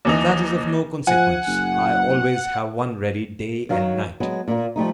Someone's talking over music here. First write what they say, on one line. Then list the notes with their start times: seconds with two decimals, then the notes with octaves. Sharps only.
"That is of no consequence; I always have one ready, day and night."
0.05 D#2 E3 D#4
1.07 F3 F#5 G#5
1.47 F#1
3.69 D#3 F#3 F5
4.20 F#3 G#3 B3
4.48 A#2 A#3
4.76 F3 G3 A3 D#4